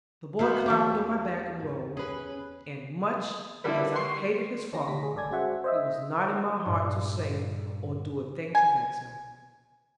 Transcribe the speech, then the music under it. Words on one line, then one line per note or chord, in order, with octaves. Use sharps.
The boy climbed on my back and rode; and much as I hated his father, it was not in my heart to say or do a thing to vex him.
G#3 B3 F#4 C5 E5 F5
E2 F#3 D4 G4
G#2
C#4 G#4 B4
D3 G3 A#3 E4 B4
C6 C#6 C7
D#2 C#4 D#4 G4 A#6
D2 D4 A#6 B6
G#4
G#1 G2 A4 D5 G#5 G#6
G#3 C#4 F#4 C5 E5 F#5
C5 D#5 E5
G2 A#2
G#5